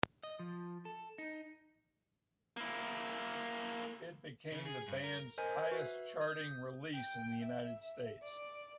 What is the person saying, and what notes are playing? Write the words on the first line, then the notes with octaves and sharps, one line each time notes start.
It became the band's highest-charting release in the United States.
D#5
F3
A4
D#4
A#3 E4
C#3
G#4
G2
A#4
A#4 C5 D#5 G#5 A#5
F#4 B4 E5
D#6 G6
G5
E5
D5